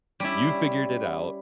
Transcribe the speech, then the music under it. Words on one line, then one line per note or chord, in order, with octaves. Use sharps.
you figured it out,
G3 C#4 E4